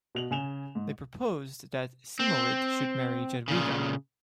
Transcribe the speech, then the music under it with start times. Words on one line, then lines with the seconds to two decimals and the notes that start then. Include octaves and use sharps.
They proposed that Siemowit should marry Jadwiga.
0.15 B2 F7 F#7
0.31 C#3 G#5 E7 F7 G7
0.75 G#2
2.19 C4
3.48 A#2 C#3